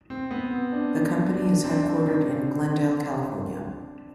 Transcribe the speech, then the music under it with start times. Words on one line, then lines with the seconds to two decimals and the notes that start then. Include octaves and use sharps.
The company is headquartered in Glendale, California.
0.10 C4
0.31 B3
0.51 C4
0.72 D4
1.33 D4
1.64 C4
1.71 D4
1.78 C4
2.09 C4